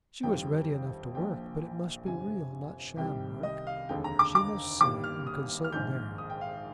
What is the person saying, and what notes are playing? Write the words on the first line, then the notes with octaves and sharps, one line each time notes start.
She was ready enough to work, but it must be real, not sham work. She must see and consult Mary!
G1 F2 D#3 G3 C4 G5
A#1 A#2 F3 G5
G1 F2 C3 G#5
C2 C3 D#3 G3 G5
D#5
F5
F1 D#2 D3 G#3 G5
A#5
D6
D6
G1 G2 D#3 G3 A#3 D6
F6
D#6
F6
A#1 G#2 D#3 G6
D#6
G5
F5